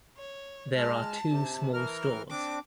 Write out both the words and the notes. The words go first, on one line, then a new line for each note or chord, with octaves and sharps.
There are two small stores.
C#5
G#3 A5 F6
C3
E3 A#4 F6
C4 D4 D6